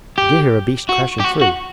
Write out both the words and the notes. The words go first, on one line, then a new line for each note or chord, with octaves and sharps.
'I did hear a beast crashing through.
G4
F#4
G4
F#4
F#4